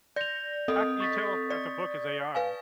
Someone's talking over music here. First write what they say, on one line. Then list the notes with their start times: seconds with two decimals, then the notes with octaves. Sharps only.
How can you tell if, if a book is AI?
0.16 D5 G6 A#6 F7
0.68 C4 A4 D#5 D#6
1.00 C#6 A6 B6
1.50 D5
2.35 B4 F5 G#5